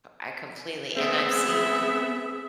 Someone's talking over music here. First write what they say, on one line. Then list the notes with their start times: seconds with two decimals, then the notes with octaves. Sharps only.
I completely, and I've seen
0.97 B3 C4 G#4 E5